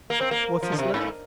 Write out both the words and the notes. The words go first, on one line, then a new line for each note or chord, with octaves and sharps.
What is left?
A#3
C4
A#3
F3
D3
C3
G#2